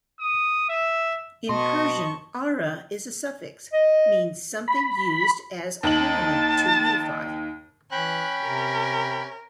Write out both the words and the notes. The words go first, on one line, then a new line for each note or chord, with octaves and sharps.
In Persian "ara" is a suffix means something used as ornament to beautify.
D#6
E5
B2 D#5 A5 C6 C#6
D#5
B5
D#2 D#4 A5 F#7
E3 C#4 G5 B5 F#6
C3 A#4